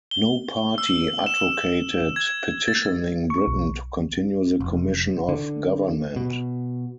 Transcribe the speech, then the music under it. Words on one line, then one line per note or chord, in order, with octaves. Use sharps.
No party advocated petitioning Britain to continue the Commission of Government.
G7
E6
E7
G#6
A6
C#6
B1
F1
D3
B2